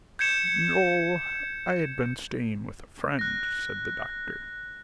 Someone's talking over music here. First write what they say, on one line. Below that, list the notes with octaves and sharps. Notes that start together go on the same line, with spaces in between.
"No, I had been staying with a friend," said the doctor.
G6 G#6 C#7 E7
F#6 A#6